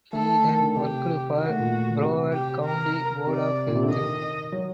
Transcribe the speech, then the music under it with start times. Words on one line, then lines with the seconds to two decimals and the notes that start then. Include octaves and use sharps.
He then worked for Broward County Board of Health.
0.13 A3 A4
0.45 D#3
0.60 D3
0.76 C3 G4
1.39 D#3 F#4
1.50 A3
1.60 A#2
2.01 C3
2.33 G4
2.64 A#4
3.27 C3 D5
3.68 A#2
3.75 C3
3.83 D3
3.90 D#3 D#5
4.53 F#3